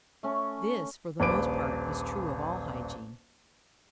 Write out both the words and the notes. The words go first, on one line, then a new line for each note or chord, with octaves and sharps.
This, for the most part, is true of all hygiene.
A3 C#4
D#1 A#1 B4 D6 D7